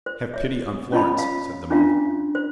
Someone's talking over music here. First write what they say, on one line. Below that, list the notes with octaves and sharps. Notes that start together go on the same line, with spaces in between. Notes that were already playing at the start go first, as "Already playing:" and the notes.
"Have pity on Florence," said the monk.
C5
C#5 E5
C#4 F4 C#5 D#5 A5 B5
F5
C#4 D4 F4 E5 F5
C5